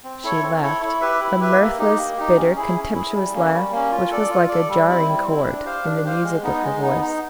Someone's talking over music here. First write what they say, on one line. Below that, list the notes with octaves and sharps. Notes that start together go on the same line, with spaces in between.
She laughed--a mirthless, bitter, contemptuous laugh, which was like a jarring chord in the music of her voice.
C4
E4 A4 C#5
C4
E4 A4 C#5
E4
G4 B4 E5
E4
G4 B4 E5
A#3
D#4 G4
A#3
D#4 G4
C#4
E4 G#4
C#4
E4 G#4
G3
A#3 C#4
G3
A#3 C#4
F4
A4 D5
F4
A4 D5
G3
C4 E4
G3
C4 E4
D4
G4 C5 F5
D4
G4 C5 F5
G#3
B3 D#4
G#3
B3 D#4
D#4